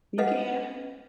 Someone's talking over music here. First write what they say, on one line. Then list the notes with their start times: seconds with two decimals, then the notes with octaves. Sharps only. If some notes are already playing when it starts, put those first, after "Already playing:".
You can?
0.18 A4 B4 D#5 F5 F#5